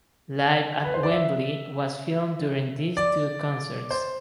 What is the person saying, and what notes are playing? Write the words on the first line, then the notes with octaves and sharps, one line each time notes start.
"Live at Wembley" was filmed during these two concerts.
B4
C5
D5
E5
D5
C5